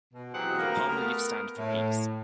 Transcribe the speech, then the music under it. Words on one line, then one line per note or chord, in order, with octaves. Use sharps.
The palm leaves stand for peace.
B2
E3 F#3 C4 G4 G#4 F#5
D2 A#3 B3 G4 A#4
A3 B3 A#4
A2